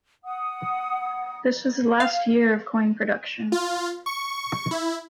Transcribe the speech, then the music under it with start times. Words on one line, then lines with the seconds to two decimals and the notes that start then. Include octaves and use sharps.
This was the last year of coin production.
0.24 F#5 D#6
2.00 F5
3.52 F4
4.06 C#6
4.71 E4